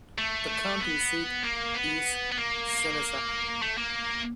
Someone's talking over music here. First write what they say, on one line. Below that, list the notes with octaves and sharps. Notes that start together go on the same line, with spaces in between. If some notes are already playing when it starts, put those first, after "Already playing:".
The county seat is Seneca.
A3
B3
A#3
B3
B3
A#3
A3
A#3